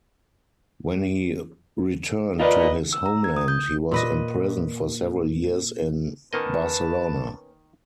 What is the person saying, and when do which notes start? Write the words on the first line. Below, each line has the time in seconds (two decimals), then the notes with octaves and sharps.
When he returned to his homeland, he was imprisoned for several years in Barcelona.
2.40 F4 A#4 B4 D5 D#5
2.93 E6
3.06 A#5
3.24 G#6
3.37 D#6
3.48 G6
3.64 G6
3.91 A#2 B4 D#5
6.33 D#3 A#3 B3 C#4 A#4 B4 D#5 A5